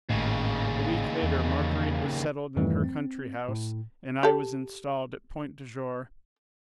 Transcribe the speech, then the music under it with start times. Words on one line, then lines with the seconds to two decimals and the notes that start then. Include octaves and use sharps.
A week later Marguerite was settled in her country house, and I was installed at Point du Jour.
0.10 G#1 D#2 A2 C#3
1.23 E2
2.56 F2 G#2 D#3 E3 G3 A3
2.84 C4
3.49 A2
4.23 G4 A4